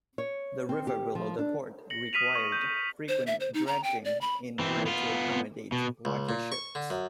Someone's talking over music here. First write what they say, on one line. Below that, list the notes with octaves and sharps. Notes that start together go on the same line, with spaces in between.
The river below the port required frequent dredging in order to accommodate larger ships.
C#5
C4
G4
F3
D4
A#6 C#7 F#7
D#6 F6 B6 D#7 F7
C#6 F#7
G6 D#7
C5
E5
C5
D#4
A#5
G5
D5
B5
E3 C4
B3 F4
B2
C#2
A#2
C#6
D3
F#2